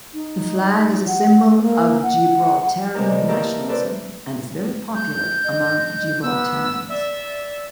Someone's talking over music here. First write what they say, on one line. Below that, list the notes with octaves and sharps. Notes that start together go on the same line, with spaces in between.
The flag is a symbol of Gibraltarian nationalism, and is very popular among Gibraltarians.
D#4
F#5
A#3
F#5
C3 G#3 B3 D4 D#4 A#4
D3 D#3 B3
A#3 D#4 E4 G4 A4 A#4
D4 E4 A4 B4 C5 D5
G6
D#5
B3 E6
D5 E5